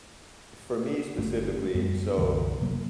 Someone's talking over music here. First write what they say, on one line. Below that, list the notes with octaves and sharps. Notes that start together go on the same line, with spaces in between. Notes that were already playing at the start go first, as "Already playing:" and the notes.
for me specifically, so
G1 G#3 A3 C#4
F#2 G3 A3 B3
C2 F#2 D3 E3
F#1 C3 F#3 A#3